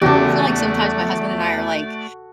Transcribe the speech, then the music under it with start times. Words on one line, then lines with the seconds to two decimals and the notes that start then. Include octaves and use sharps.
I feel like, sometimes, my husband and I are, like,
0.02 E2 C#3 A3 F#4 G4 A4 D5